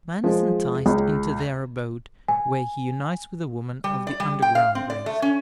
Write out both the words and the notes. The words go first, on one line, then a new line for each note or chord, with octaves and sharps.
A man is enticed into their abode, where he unites with a woman of the underground race.
F3 G#3
C#2
G#5
G3
D5
G3
G5
F5
C4
D5
A3
C#4